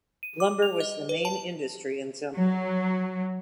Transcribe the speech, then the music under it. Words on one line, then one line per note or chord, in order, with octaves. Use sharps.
Lumber was the main industry in Zemple.
D#7
D6
F7
D#5
B4
A5
F#3